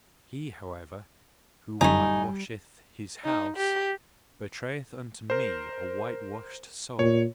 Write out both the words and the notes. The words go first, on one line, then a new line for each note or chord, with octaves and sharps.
He, however, who whitewasheth his house, betrayeth unto me a whitewashed soul.
G1 F#2 G3 A3 D#4 G#5
D#4
G4
A#4 C5
A#2 C#5